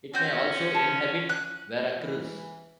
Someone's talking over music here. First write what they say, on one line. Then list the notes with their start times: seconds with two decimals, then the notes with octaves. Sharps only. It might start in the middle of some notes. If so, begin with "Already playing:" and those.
It may also inhabit Veracruz.
0.14 F3 C4 C#4 F#4 G6
0.75 A5
1.29 F#6
1.98 E3